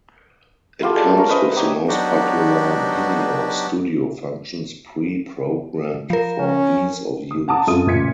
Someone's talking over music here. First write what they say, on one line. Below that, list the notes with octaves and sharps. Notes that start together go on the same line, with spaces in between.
It comes with the most popular Mimio studio functions pre-programmed for ease of use.
E4 F4 G4 A4
G#3 D5 A5
C#4 A#4
B4 C5 D#5 E5
D#4 G4 C#5 G5
F#3 B3 D4 D#4 F#4 G4
F3 A#4
C#4
D#6
F#5 A5 A#5 D6 D#6
F#2 C4 F4 A4 D#6 D#7
A1 A#2 C#3 G#6 B6 C#7